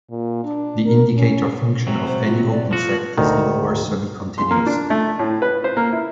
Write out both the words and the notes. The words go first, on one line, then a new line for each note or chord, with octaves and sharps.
The indicator function of any open set is lower semicontinuous.
A#2
D4
A#4
C#4
C3 F#3
C5
F4
D5
F3 F4 F#4
D2 D3 D#3
C6
A#3
D4
A3
A2
B4
C5
A#3
E4